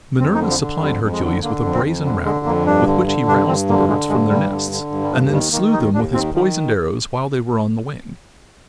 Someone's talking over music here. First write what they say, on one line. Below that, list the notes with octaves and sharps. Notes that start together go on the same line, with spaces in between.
Minerva supplied Hercules with a brazen rattle with which he roused the birds from their nests, and then slew them with his poisoned arrows while they were on the wing.
F2 C4
D#4
D3
F3
D3
F2 G3
F2
G#3
D3
D3 A#3
F2
C4
F2
D3
D3 G#3
F2 A#3
G2 D4
D3
D3
G2 D4
G2 C4
D3 A#3
D3 G#3
G2 G#3
G2 G3
D3
D3
G2
G3
D#2 F3
D#3 G3
D#3 A#3
D#2 D#4
D#2 D4
D#3 C4
D#3 F3